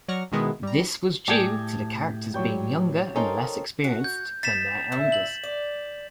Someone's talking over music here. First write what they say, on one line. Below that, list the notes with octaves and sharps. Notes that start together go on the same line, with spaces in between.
This was due to the characters being younger and less experienced than their elders.
F#3 D5 C#6 F6 A#6
B2 D#3 G#3 B3 E4
G3 A#5
A2 G4 G#4 D5 A5 G6 G#6
F#3 G3 C#5 G5 C#6 G6
C#4 D#4 A4 A#4 C5 F5
F#4
G6
D#4 A6 B6 E7
A#2 E4
F#7
D5